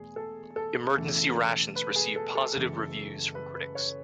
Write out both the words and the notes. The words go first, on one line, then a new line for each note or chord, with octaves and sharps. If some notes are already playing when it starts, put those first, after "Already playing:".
"Emergency Rations" received positive reviews from critics.
Already playing: E2 B2 A3 G#4
A4
A4
E1 E2 C#3 E3 A3
B4
G#4
A4
A4
F#1 F#2 E3 G#3
B4
B4
C#5